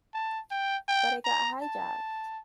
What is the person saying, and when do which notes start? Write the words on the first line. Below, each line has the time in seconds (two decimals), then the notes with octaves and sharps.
But it got hijacked.
0.14 A5
0.51 G5
0.88 G5
1.25 A#5
1.62 A5